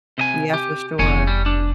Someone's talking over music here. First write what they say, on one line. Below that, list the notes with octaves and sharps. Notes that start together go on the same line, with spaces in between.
Yeah, for sure.
C3 D#5 G#5
G4
F1 E2 C#5 G#5
G3
D4